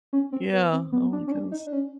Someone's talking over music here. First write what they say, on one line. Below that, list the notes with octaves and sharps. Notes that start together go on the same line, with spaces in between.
Yeah, oh my goodness.
C#4
C4
B3
C4
B3
D4
C#4
D4
D#4
D4
C#4